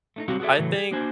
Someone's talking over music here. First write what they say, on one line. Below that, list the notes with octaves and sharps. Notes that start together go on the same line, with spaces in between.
I think
A3 D4 D#4
C3 F#3 G3 C4 F#4 F5
F#4 G#4 A4 D5 E5
A2 C#3 E3 F#3 A3
G#4
A#3 D4 F#4 C5 G#5